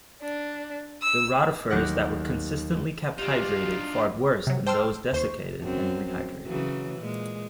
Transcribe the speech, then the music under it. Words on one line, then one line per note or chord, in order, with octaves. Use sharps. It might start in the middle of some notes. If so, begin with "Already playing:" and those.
The rotifers that were consistently kept hydrated fared worse than those desiccated and rehydrated.
D4
E6
D#2 F#3 G4 F#5 A#6
D4 D#4 F4 G4
C3 F#3
C5 G5 A5 C6 E6 F6
D#2 C5 C#6
F#2 C4
C#3 E3 F#3
A#2 G#3